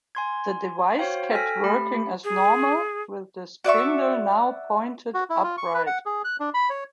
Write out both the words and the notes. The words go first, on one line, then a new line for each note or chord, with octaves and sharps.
The device kept working as normal, with the spindle now pointed upright.
G#5 C6 G#6
F#4 C5 C#5 F5 G5
A4 G5 G#5 F6 A#6 B6
A3 G4 B5
G#4
F#4 D5 E5 C#6
F#4
E4
F4
C#6
B4
F#5
G#4
F#6
D4
B5
C#5